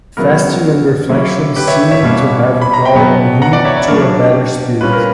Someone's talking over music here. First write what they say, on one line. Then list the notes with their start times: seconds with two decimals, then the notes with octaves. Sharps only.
Fasting and reflection seemed to have brought him to a better spirit.
0.17 C#3 F#3 B3 E4 A#4
1.10 F#3 A#3 C#4 E4
1.56 G4 B4
1.67 C#5 E5
1.91 C#5 E5
2.03 B2 G3 A#3 C#4
2.62 B5
2.74 A#5
2.85 G5 B5
2.95 B2 F#3 B3
3.42 F#5 A#5
3.53 D5 F#5
3.65 C#5 E5
3.77 B4 D5
3.88 F#3 A#3 D4 A#4 C#5
4.22 G4
4.81 A#2 G3 C#4 B4
4.93 A#4